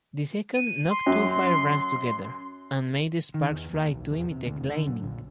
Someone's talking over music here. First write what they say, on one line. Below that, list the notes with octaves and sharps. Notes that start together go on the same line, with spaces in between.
The second knocked two firebrands together and made the sparks fly to imitate lightning.
D#7
C6
F#2
D#3
E2
D#2
B1
E2
C3
D2
E1
D3
F#2
A#1